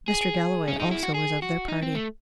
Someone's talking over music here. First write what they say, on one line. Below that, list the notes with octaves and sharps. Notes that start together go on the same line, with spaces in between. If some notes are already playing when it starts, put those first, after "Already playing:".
Mr. Galloway also was of their party.
G#4
C#4
D#4
E4
F#4
G#4
F#4
D#4
C4
A3